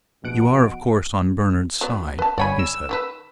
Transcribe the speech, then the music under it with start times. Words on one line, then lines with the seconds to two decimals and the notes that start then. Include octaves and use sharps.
"You are, of course, on Bernard's side," he said.
0.24 A#1 B2 F#5 D7
1.81 F#3 B3 D5
2.19 B4 A5
2.38 G1 C#5 D5 G5 G#5 B5
2.59 E6
2.89 D#3 G4 B4